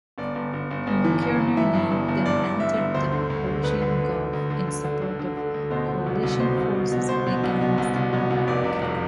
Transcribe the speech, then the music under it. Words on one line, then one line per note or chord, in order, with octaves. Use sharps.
"McInerney" then entered the Persian Gulf in support of coalition forces against Iraq.
G1 D5
G1
G1
G1
G1
E3
G1
G1
E3 E5
G2
G1
G1
G2 D5
G1
G1 E5
G1
D2 C5
D3
D2
D3
D2 B4
D3
D2
D2
D2
D3
D3
D3
D3
D3
D3
D2
B2 C5
B2
C2
C2
B2 C5
C2
C2
B2
B2 C5
B2
C2
B2
C2
C2
B2
C2
F1 D5
C3
F2